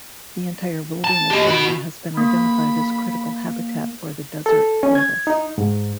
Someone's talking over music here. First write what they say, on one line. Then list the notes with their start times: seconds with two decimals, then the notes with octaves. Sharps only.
The entire wilderness area has been identified as critical habitat for the desert tortoise.
1.04 A5
1.31 G4 D#5
1.47 F#4 B5
2.17 A#3 B5
4.46 A4
4.83 C#4
4.95 G#6
5.27 D#4
5.58 G#2